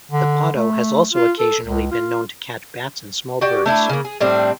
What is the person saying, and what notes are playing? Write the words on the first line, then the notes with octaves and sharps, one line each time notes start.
The potto has also occasionally been known to catch bats and small birds.
D3
A3
F4
A4
C#2
F4
F#4 G4 D5
A3 D4 E4 B4
C#3 A#3
G#4
A2 G3 C4 D4